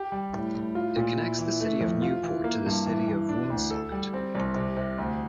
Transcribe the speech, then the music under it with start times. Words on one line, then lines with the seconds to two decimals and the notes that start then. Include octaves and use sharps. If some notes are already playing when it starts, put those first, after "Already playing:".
It connects the city of Newport to the city of Woonsocket.
Already playing: G4
0.12 G3
0.33 A2
0.55 A2
0.75 F4
0.97 A#2
1.18 E4
1.39 E3
1.60 A3
1.81 F2
2.02 F4
2.23 E3
2.44 A#3
2.66 G2
2.86 E3
3.08 E3
3.29 D4
3.50 D2
3.71 A4
3.92 G3
4.14 C4
4.35 C2
4.56 C3
4.77 C3
4.98 D2